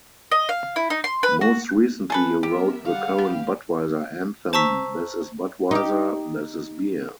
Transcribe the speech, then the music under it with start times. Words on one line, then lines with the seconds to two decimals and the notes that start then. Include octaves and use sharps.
Most recently he wrote the current Budweiser anthem, This Is Budweiser, This Is Beer.
0.31 D#5
0.49 F5
0.76 E4
0.90 D#4
1.04 C6
1.23 B4
1.41 F#4
2.10 G#4 A4 B4
2.43 B3 G4 A#4 E5
2.85 D3 G3 F5 F#5
3.18 B3 G4
4.53 C5 A5 A#5 C#6 E6 B6
5.71 D#4 G4